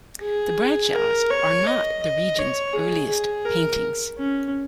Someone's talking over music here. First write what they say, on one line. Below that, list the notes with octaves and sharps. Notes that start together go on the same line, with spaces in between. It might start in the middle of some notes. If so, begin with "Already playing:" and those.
The Bradshaws are not the regions' earliest paintings.
G#4
A#4
C#5
D#5
D#5
C#5
G#4
G#4
A#4
C#4